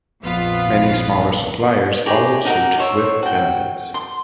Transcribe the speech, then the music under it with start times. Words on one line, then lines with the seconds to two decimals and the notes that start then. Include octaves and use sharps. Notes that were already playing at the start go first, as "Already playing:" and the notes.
Many smaller suppliers followed suit with benefits.
0.22 A#1 F2 B3 F4 F5 B6
2.06 D#4 G4 G#4 C#6
2.45 D#4 F#4 G#4 A#4
2.78 C5 C#5 E5
3.23 F#4 G5
3.94 C6